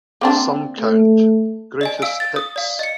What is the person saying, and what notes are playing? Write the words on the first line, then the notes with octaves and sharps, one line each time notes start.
Some count "Greatest Hits".
A#3 C4 D4
A3
D5 D#5 G#5
F5 E6 D7
A6
D#6
D5 F5
D#5 C#7